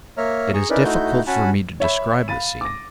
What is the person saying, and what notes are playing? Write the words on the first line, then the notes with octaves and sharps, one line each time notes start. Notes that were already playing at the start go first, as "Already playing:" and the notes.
It is difficult for me to describe the scene.
A#3 C#5 E5 A#5 F6
G#4 A#5 C#6
C#4 D#4 E4 A#4 B4 D5
A3 D#4 E4 F#4 G6
C#4 F#4 F#5 G#5 A5 B5
C#5 E5 B5
F5 B5 A6 D#7
D6 A#6